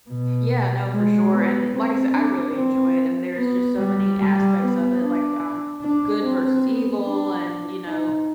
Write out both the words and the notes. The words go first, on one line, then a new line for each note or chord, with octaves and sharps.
Yeah, no, for sure, and like I sai I really enjoy it, and there's just so many aspects of it, like, um, good versus evil and, you know.
B2
G#3
B3
C4
D4
C4
B3
G3
G3
B3
D4
D4
C4
B3
D4
D#4